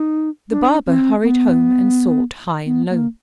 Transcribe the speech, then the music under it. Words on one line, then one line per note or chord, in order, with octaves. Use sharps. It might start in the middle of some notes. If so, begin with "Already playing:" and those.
The barber hurried home and sought high and low.
Already playing: D#4
D4
C4
B3
B3
A#3